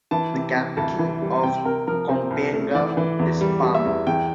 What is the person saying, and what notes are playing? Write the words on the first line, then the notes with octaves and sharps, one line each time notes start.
The capital of Kompienga is Pama.
E3 A5
C3
C3
D2 A5
E3
G3
C3 G5
C3 A#4
F3 A#4
C3 C5
C2
A3
E3 D5
E3
E2
G3
G3
E5
E2
E2 G5